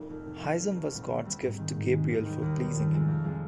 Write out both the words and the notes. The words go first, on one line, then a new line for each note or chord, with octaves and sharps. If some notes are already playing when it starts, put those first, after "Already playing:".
Haizum was God's gift to Gabriel for pleasing Him.
Already playing: F1 C2 C3 A#3 D#4
F2
C3 F3
F2
C3 F3
D2
C3 G3 C4
D2
C3 G3 C4
G#2
D#3 G#3
G#2
D#3 G#3
D#2
D#3 G3
D#2
D#3 G3
F2
C3 F3 G#3 C4
F2
C3 F3 G#3 C4